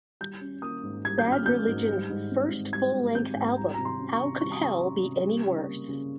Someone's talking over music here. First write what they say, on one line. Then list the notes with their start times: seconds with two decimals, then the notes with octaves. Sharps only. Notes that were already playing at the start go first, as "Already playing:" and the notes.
Bad Religion's first full-length album, How Could Hell Be Any Worse?
0.21 G3 G6
0.41 C#4
0.62 A#3 D#6
0.83 G#2
1.05 G3 G#6
1.18 G6
1.26 C#4
1.32 F6
1.46 A#3 G6
1.68 G#2
1.89 G3
2.10 G#2
2.31 C4
2.52 G#2
2.73 G3 G#6
2.94 G#2
3.15 C4 G6
3.35 G#2
3.57 G3 A#5
3.74 C3 A#5
3.85 C6
3.99 C#4
4.13 C#6
4.20 C3
4.41 G3 C#6
4.52 D#6
4.62 C3 C#6
4.83 C#4
5.04 C3
5.25 G3
5.47 C#3
5.67 A#3
5.89 C#3